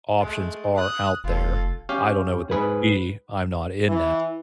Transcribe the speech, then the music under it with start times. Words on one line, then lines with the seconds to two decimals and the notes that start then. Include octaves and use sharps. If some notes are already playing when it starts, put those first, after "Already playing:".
options are out there. I don't know what that would be. I'm not in NASA.
0.20 G#3 A3
0.76 D#6 F#6
1.24 F1 F4 A4
1.89 C#4 G4 F5
2.51 G#2 G#4 B4
3.89 E3